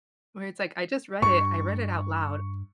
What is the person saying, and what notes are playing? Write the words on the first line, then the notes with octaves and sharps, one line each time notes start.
where it's like, I just read it, I read it out loud,
G2 C#6